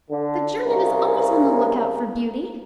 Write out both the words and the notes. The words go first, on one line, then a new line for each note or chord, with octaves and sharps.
The German is always on the lookout for beauty.
D3
C2 C#3 A#4